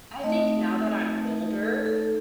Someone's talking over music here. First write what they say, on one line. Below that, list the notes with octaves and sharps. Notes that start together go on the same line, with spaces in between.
I think now that I'm older,
A3 C4 D#4 D#5
A3 D#4
A4
A4